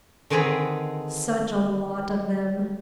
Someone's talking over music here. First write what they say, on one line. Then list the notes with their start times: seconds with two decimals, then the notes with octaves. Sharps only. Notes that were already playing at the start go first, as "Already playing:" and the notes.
Such a lot of them!
0.30 D3 D#3 C4 G#4 B4 A#5